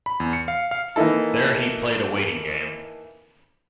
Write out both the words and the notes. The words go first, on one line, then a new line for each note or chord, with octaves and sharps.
There he played a waiting game.
B5
E2
C#7
F5
F5
E3 A#3 D#4 E4 A4